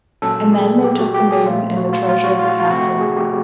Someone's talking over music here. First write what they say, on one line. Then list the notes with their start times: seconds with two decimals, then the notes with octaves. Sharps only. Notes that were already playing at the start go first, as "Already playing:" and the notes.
And then they took the maiden and the treasure of the castle.
0.22 A#2 F#3 A#3 C#4 A4
0.53 G#4
0.84 G4
0.99 F#4
1.14 G4
1.31 G#4
1.46 A#2 F3 A3 F4
1.77 F#4
1.93 F4
2.09 F4
2.24 F#4
2.39 F4
2.49 F#4
2.60 F4
2.70 C3 F3 A3 C4 F#4
3.01 G#4
3.17 G4